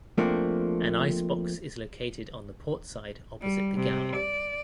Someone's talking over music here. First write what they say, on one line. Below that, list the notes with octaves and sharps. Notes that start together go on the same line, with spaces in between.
An ice box is located on the port side opposite the galley.
F3 A3 A#3 C4 D4
G3
C3
D5